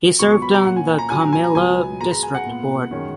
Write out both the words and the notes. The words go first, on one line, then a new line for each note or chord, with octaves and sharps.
He served in the Comilla District Board.
C#2 B2 F#3 B3 C#6
C#6
B5
A#5
A#2 A#3 C#4 F#5
G#5
G#5
A#5
A#2 F#3 C#4 G#5
A#5
G#5
A#5
C#2 B2 F#3 B3 G#5
B2 G#3 B3 A#5
A#5
G#5
F#5
A#2 G#3 B3
F#2 D#3 G#3 C#4